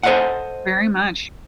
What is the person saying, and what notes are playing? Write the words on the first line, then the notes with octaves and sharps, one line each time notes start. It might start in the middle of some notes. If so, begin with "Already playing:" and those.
Very much.
A4 C5 C#5 D#5 F5 F#5